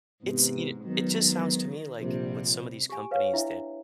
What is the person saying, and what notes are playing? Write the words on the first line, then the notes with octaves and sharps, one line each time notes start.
It's you kn it just sounds to me like with some of these companies that, uh,
G#2 C3 E3 B3
G#2 D#3 F#3 B3
A#1 C3 G3
G4 G#5
B4 C#5 F5
D4 E4 E5